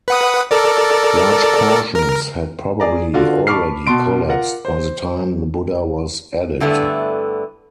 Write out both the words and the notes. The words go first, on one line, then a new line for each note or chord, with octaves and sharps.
Large portions had probably already collapsed by the time the Buddha was added.
B4 F#5 D#6
A4 A#4 D5
A#4
G#4 D5 A#5
D3 F4 F#4
A5 B5 C#6 D6 F6 C7
B2 A5 C6 D7
F4 A#4 F#5
C5
G2 D3 A3 B3 E4